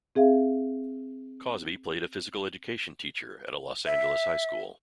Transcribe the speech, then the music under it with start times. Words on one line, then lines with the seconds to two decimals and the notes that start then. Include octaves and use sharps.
Cosby played a physical education teacher at a Los Angeles high school.
0.15 C4 G#4 E5 F5
3.86 E5